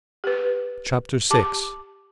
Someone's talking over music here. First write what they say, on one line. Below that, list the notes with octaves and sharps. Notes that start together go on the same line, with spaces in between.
Chapter VI.
G4 B4
G4 A5 D6